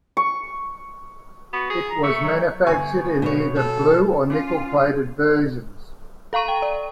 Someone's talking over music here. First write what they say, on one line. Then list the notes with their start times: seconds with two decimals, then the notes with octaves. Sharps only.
It was manufactured in either blue or nickel-plated versions.
0.17 C#6
1.53 B3 F#4
1.70 G#4
1.89 A#5
2.03 A3 C#6
2.23 F#3
2.67 G1 G#5 C#6
3.22 B2 C#5
3.56 A4
4.30 C#4 F4
6.33 A4 F5 A#5 C#6 D#7
6.48 G5
6.62 D5